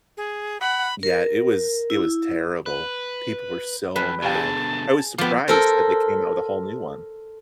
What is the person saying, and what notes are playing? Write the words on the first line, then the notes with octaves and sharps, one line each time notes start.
yeah, it was it was terrible. People were so mad. I was surprised that they came out with a whole new one.
G#4
F#5 B5
A#4
E4
B4
F2 B4
B2 D3 G4 F5 G5 A5
G#4
F3 B3 F4 G4 D6
A4 A#4 C5